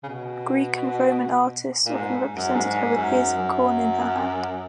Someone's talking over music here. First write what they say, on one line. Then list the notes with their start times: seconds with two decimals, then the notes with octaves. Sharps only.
Greek and Roman artists often represented her with ears of corn in her hand.
0.03 C#3
0.08 B2
1.86 A#2
1.95 G#2
2.35 F#2
2.55 G#2
2.96 F#2
3.38 F#2